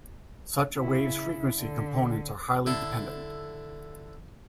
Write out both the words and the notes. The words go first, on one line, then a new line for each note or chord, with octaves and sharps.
Such a wave's frequency components are highly dependent.
C#3 E4
D3
D3 E4 A4 C6